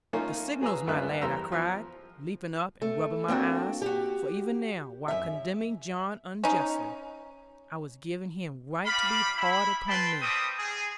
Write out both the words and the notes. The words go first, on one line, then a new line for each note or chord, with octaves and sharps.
'The signal, my lads,' I cried, leaping up and rubbing my eyes; for even now, while condemning John unjustly, I was giving him right to be hard upon me.
A3 A#3 C#4 D#4 F4
F#3 G#4 B4 A#5 E6
C#2 G2 A#3 B4 E5 F#6
E2 G3 A#4 C5 A#5 E6
F3
A3
A#3 C4 D4 F#4
F#4 G4
F#2 E5
C#4 D#4
G3 G4 F5 B5
E4 B5
B4 G5 A5 B5 C6
G3 A3 C4 D#6
G#4